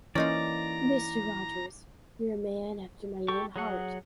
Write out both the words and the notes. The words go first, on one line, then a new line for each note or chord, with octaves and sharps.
Mr. Rogers, you're a man after my own heart.
E3 A#3 C#4 D#4 F4 D5 A#5
G4 A4 G5 C#6
F#3 G#4 F#5